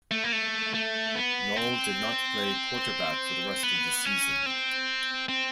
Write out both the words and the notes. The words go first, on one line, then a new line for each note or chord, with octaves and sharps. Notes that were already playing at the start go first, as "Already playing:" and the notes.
Nall did not play quarterback for the rest of the season.
A3
A#3
A3
A3
B3
C4
B3
C#4
C4
C4